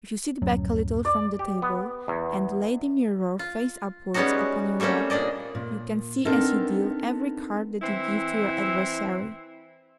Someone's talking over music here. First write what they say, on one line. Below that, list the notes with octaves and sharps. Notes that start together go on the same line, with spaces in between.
If you sit back a little from the table, and lay the mirror, face upwards, upon your lap, you can see, as you deal, every card that you give to your adversary.
D1 F#2 F#3
D5
G4
B3
E2
F4
G3 G#3 B3 C#4 D#4 F#4
G3 A3 A#3 C4 C#4
A#2 D4 D5 D#5
A#2
B3 C4 D4 D#4 A4 A#4
E3 C4 E4